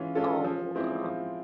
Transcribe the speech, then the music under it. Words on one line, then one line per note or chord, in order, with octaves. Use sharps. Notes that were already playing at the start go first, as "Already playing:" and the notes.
"Oh, um,
Already playing: E3 G#3 C#4 F4
G#3 C#4 F4 A4
F3
G#3 C4 E4
F3